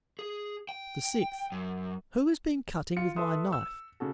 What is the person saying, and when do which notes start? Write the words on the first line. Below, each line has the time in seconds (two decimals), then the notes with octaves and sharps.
The sixth, "Who has been cutting with my knife?"
0.19 G#4
0.69 G5
1.52 F#2
2.96 F4 C#7
3.16 A4 B4 E5 C6 D#6
3.53 E6
4.00 C#3 F#4 A4